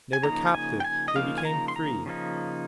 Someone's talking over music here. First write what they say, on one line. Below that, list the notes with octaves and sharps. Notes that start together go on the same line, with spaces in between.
They were captive; they became free.
G#5
C#3 F3 A#3 D#4 A#5
G#5
G5
G#5
D#5
C#3 F3 A#3 D#4 F5
G#5
A#5
C6
A#5
C#3 F3 A#3 D#4